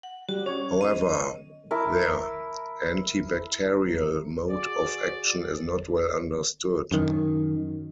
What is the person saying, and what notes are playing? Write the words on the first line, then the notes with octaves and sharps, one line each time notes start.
However, their antibacterial mode of action is not well understood.
F#5
G3 F#4
C#4 C#5
D#5
E4 A#4 A5 D6
F#4 G#4 D5
F#2 D#3